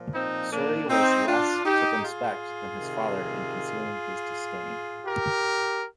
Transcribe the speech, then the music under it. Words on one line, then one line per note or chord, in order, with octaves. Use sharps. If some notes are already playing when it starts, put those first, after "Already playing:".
Surrey was less circumspect than his father in concealing his disdain.
Already playing: A#2 F3
C4 D#4
A#3 D4
C4 D#4
D4 F4
D#4 G4
F4 G#4
C3 D#3
G4 A#4